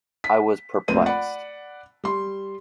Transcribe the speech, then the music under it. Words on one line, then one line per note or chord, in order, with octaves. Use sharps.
I was perplexed.
B6
F1 A#1 C4 D#7
D5 F#5 B5
G3 C6